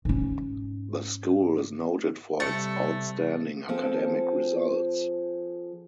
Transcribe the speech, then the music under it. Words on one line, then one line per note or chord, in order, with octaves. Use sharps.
The school is noted for its outstanding academic results.
G#2 C#4
C3 G3 A3 A6 C#7
F3 C4 G#4 A4